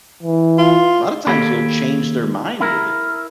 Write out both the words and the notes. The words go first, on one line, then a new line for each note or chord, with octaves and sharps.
lotta times you'll change their mind with it.
E3
F4
D#2 A#3 G4 A4 C#5 B5
E4 A#4